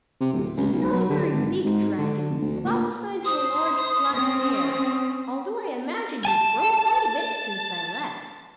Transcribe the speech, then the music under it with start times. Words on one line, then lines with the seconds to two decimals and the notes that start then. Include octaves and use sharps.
He's not a very big dragon, about the size of a large black bear, although I imagine he's grown quite a bit since I left.
0.21 C3
0.33 D1
0.57 C#2
0.73 B1
0.93 F#3
1.10 D3
1.32 G#1
1.65 G#2
1.97 D3
2.30 F1
2.41 D2
2.65 A#2
3.25 C5 D#6
4.13 C4 C#4
6.25 G#5 A5